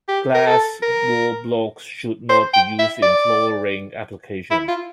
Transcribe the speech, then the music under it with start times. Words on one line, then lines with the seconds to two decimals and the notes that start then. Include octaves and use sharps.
Glass wall blocks should not be used in flooring applications.
0.08 G4
0.34 A#4
0.46 A4
0.82 A#4
2.29 C5
2.53 G5
2.79 E5
3.02 D5
4.51 E4
4.68 F4